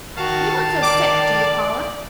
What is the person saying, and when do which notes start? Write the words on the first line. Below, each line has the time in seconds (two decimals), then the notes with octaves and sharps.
"You don't feel sick; do you, Paula?"
0.16 D#3 F#4 F5 A5
0.83 D5 D6